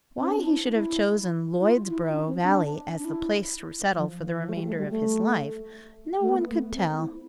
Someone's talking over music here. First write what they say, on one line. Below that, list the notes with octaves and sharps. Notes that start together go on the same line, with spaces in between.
Why he should have chosen Lloydsborough Valley as the place to settle for the remainder of his life, no one could tell.
C4
D4
E4
E4
E4
F4
E4
D4
C4
D4
D4
E4
F3
E3
E3
F3
A3
G3
A3
G3
A3
A3
B3
A3
C4
E4